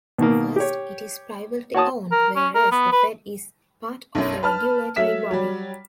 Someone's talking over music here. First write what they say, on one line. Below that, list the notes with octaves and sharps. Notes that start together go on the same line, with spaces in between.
First, it is privately owned, whereas the Fed is part of a regulatory body.
B2 D#3 A#3
G4 C#5
F#4 C#5 A5 D#6
A#4
C#4
A#4
B3
B4
B1 F#2
B4 A5 F6
F#3 A3 E5 B6 E7
F#3 G3